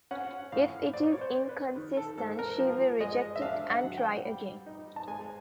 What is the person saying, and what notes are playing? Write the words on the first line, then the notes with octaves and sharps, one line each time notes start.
If it is inconsistent, she will reject it and try again.
C#4 F#5
A2 F5
C4 D5
C#5
C5
C4
B4
D#3
A4
G#2 A4
A#4
F3
G#3 D#5
E5
D4 F5
F#5
F#3
G5
G3
D#4
A5
G#3 G#5